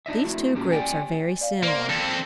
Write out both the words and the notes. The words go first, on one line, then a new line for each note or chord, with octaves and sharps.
These two groups are very similar.
D4 D#4 D#5 E5
A3 E4 F#4
A#3 C#4 G4
D5 D#5 G5 G#5
D5 F5
A#3 C5 D5 C6
C4 A4 A6 B6